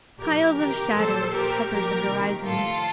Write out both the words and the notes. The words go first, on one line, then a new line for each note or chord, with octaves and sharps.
Piles of shadows covered the horizon.
A#2 F3 G4 A#4
C3 D#3 G4 A#4
A#2 F3 A4 C5
A#2 F3 G4 A#4
A#2 F3 G4 A#4
C3 D#3
A2 F3 F4 A4